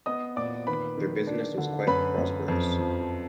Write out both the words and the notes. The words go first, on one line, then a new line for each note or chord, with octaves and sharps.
Their business was quite prosperous.
B3 D#5 D#6
A#2 D5 D6
D#3 B4 B5
D#3
D4
D3
F#2 B4 B5
F#2
F2
F3